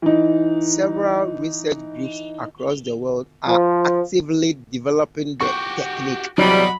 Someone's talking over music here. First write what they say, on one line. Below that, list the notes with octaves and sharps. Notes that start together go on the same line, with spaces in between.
Several research groups across the world are actively developing the technique.
E3 D#4
F3
F#4 G4 C#6
E2 C3 F#3 G3 F#4 D#5 B5